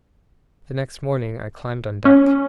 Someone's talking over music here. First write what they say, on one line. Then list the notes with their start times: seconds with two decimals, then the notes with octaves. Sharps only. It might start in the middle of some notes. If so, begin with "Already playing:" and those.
The next morning I climbed on deck.
2.05 C#4